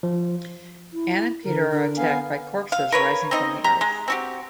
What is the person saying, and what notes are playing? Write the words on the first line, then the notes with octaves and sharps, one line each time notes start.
Anne and Peter are attacked by corpses rising from the earth.
F3
E4
D3 A#4
D3
B3 F5 G#5
F5
A#4 B4 C#5
C4 D#4 D#5
G4 A#5
G#3
C4 F#4 G4